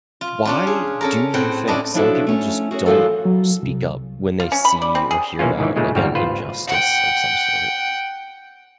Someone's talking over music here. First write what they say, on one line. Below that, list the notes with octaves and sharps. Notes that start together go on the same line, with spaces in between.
why do you think some people just don't speak up when they see or hear about, like, an injustice of some sort?
F4
C#4 D4 F4
G#4
C#4 A4 A#4
A2 C4 F#5 G5
C#4 D4 E4 A4 D#5
F3 F#3 D4 E4 F#4 A4
A3 C#4
F#4 G#4 A#4 C#5
F#2 E3 F3 F#4 A4
F#3
C2
F4
C#4
B5
D5
C4
G#4
B1 E3 A#3 C#4 F4
G#2 D#3 E3
A#2 C#3 G#3 A3
G1 G#2 G3 C4 C#5 F5
G#1 F4 B4 C5
F#5 G5